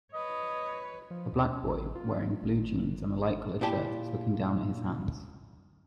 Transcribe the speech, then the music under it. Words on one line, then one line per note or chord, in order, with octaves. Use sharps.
A black boy wearing blue jeans and a light colored shirt is looking down at his hands.
B4 C#5 D#5
F3
D#2
C#4
A1
F4
G#1
A#2 E4 G4 A5